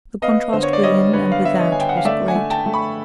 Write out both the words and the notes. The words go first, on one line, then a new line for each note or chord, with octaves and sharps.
The contrast within and without was great.
B3 D#5 F5
D3 C5
C#5
D5
G3 C#5 D#5
D3 B4 C#5
F5
B3 E5
C#5 D#5
D3 G#5
G5
F#5
F5
A3 D5 E5
F#5 G#5
A3
G5 A5
A3
B5 C#6